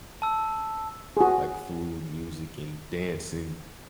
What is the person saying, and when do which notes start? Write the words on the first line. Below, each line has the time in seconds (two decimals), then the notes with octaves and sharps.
like food, music, and dancing.
0.22 A5 E6
1.17 F#4 G#4